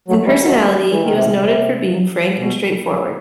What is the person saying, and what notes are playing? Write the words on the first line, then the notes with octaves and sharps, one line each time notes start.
In personality he was noted for being frank and straightforward.
F#3 A3
E3 G3
D#3 F#3
E3
D#3
C3
B2 D#3
C3
B2